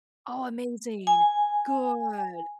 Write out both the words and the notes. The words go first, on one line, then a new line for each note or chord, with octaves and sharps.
Oh, amazing. Good.
G#5